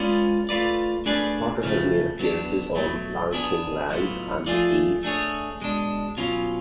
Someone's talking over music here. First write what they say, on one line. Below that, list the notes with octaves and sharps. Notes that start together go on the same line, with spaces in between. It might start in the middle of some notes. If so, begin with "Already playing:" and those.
Parker has made appearances on "Larry King Live" and E!
Already playing: G#3 C#4 F4 B4 D5
A3 F4 B4 D5
A3 D4 G#4 B4 D5
C#3 F3 A3
F#3 B3 D4
B2 F#3 A3
B3 D4 G#4
A2 F#3 B3 F4
F3 A3 F4 G#4 D5
A3 D4 G#4 C#5
B2 G#3 D4
B2 F#3 C#4 F4